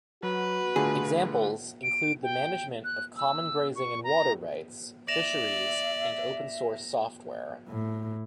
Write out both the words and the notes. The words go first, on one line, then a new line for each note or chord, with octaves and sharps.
Examples include the management of common grazing and water rights; fisheries and open-source software.
F#3 F#4 B4
D3 A3 F4 G#4
D7
G5
F#6
E6
C#6
A#5
D5 E5 A#6 E7 F7
A2